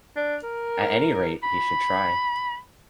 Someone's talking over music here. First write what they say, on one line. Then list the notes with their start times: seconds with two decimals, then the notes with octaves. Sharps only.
At any rate, he should try.
0.16 D4
0.44 A#4
1.43 B5